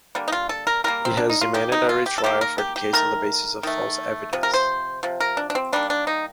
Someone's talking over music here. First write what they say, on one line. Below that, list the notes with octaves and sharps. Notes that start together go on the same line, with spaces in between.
He has demanded a retrial for the case on the basis of false evidence.
D3 G3 A#3
D#4
F4
A4
A#4
D3 G3 A#3 A#4
C4
D4
D#4
F4
D#3 A#3 G4
D#4
F4
G4
A4
D#3 A#3 G4
A#4
G4
G4
D#3 A3 A#4
D#3 A3
C3 F3
A#4
C5
C3 F3
A#4
D4
D4
C4
D#3 G3 A#3 D4
D4
D#4